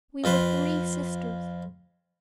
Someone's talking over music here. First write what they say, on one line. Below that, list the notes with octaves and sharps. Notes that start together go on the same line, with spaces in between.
We were three sisters.
F2 F4 B4 C5